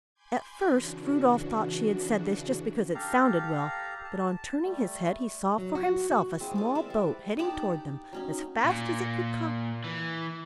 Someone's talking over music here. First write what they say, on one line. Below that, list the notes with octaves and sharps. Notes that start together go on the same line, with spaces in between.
At first Rudolf thought she had said this just because it sounded well, but on turning his head he saw for himself a small boat heading toward them as fast as it could come.
G#5 B5 C6 D6 G6 G#6
C#3 E3 D4 F#4
G4 A4 F5 A#5
A5
G3 A3
F#3
F#4
F#4
G#3 C4 E4 G#4
G#3 D5
A#4 C5 D5 E5
G4 B4
D#4 G4 F#5 A5
F#3 C#4 D#4
A#2
E3